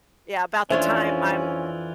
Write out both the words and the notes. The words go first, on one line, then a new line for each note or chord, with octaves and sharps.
yeah, about the time I'm,
F2 E3 C#4 D4 F4 C5 C#5 E5